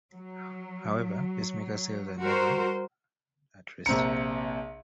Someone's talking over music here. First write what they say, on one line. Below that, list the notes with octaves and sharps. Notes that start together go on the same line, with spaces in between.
However, pacemaker cells are never at rest.
F#3
G3 F#4 A#4 C5
A#1 C3 A#5 C#7